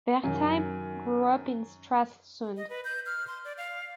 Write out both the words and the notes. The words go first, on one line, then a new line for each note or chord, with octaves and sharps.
Wertheim grew up in Stralsund.
F#2 D#3
D#5
B4
G6
F6
C6
D5
F5